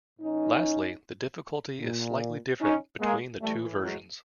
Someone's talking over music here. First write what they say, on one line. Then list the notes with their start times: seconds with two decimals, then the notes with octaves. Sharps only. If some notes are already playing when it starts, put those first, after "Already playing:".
Lastly, the difficulty is slightly different between the two versions.
0.20 A2 E3 C#4 D#4
1.80 A#2
2.61 C#4 D#4
3.01 G#3 A#3
3.40 A2 E3 G3 A3
3.81 F#3 G#3